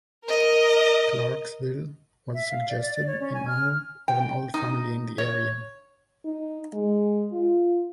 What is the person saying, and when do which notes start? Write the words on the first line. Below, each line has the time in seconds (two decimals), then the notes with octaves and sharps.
"Clarksville" was suggested in honour of an old family in the area.
0.25 A#4 D#5
2.34 E5
2.50 F5
2.69 D5
2.82 D5
2.95 D5
3.07 C#5
3.20 C#4
3.34 G#5
3.48 F6
4.08 G5
4.54 D#4
5.18 C#5
6.25 D#4
6.73 G#3
7.32 F4